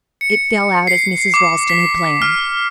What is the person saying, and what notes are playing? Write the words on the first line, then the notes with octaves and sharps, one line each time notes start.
It fell out as Mrs. Ralston had planned.
C#7
C7
D6
B6
F6